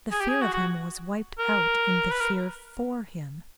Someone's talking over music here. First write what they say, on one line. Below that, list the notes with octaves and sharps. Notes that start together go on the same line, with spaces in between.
The fear of him was wiped out in the fear for him.
G#4
G4
G#4
F#4
F#4
A#4
B4
A#4